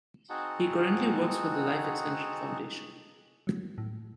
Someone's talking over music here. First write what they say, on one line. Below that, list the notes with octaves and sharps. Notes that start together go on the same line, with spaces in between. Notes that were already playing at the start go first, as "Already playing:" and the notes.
He currently works for the Life Extension Foundation.
C4 D#4 F#4 G#4 F#5 A5
F#3
A2